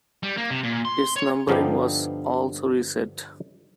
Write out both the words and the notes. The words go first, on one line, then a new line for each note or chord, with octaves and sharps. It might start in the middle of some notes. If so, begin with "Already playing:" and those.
Its numbering was also reset.
G3
A#3
C3
A#2
C6
C#5
G2 D3 F3 B3 D#4 G4